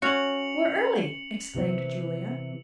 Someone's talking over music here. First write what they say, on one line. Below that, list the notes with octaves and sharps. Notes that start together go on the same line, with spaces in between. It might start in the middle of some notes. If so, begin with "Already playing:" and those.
"We're early!" exclaimed Julia.
C#4 F#4 C#7 F7 F#7
C3 E3 C4